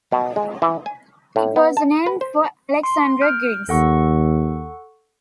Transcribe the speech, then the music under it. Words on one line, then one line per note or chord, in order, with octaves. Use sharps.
It was named for Alexander Griggs.
B2
G#3
E3
G#5
A2
B3
A5
B4
C5
C6
F6 G6 D7
D#2 A4 F#5 C#6